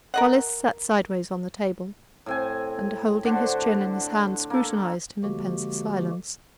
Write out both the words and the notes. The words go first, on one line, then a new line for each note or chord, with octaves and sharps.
Hollis sat sideways on the table and, holding his chin in his hand, scrutinized him in pensive silence.
A#4 D#5 F#5
A2 C4 G#5
D3 D4 F#4 C5
A#3 A4
D3 F3 G#3 A#3 F#4 G4